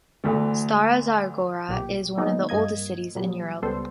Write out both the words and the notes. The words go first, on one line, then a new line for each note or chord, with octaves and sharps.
Stara Zagora is one of the oldest cities in Europe.
D2 E3 A3
B1 A#2 G4
D#3 F#3 G#3 A#3 B3 D#4
G2 A#3 D#5 G#6
A#2 F#3 G3
C#2 G3 B3 A4 C5